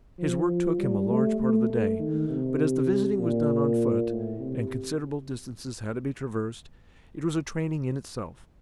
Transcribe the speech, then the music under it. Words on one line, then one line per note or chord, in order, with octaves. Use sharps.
His work took him a large part of the day, but as the visiting was done on foot, and considerable distances had to be traversed, it was a training in itself.
F3
G3
A3
A3
A3
D#3
C3
A#2
A2
C3